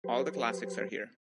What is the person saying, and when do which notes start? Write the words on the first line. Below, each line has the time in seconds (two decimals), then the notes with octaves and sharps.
All the classics are here.
0.04 F#3 G4 B4 C5